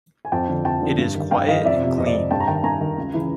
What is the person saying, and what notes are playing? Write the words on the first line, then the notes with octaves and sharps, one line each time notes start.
It is quiet and clean.
G#5
F2 G5 A5
D3 F3
F2 G5 A5
D3 F3
G2
D#3
G2 F5 G5
D#3 D#5 F5
F2 D5 E5
C3 F3
F2 D#5
D5
C3 F3 D#5
G2 G5 A5
A#5
D#3 G5 A5
G2 G#5 A#5
D#3
C#2
C#3 E3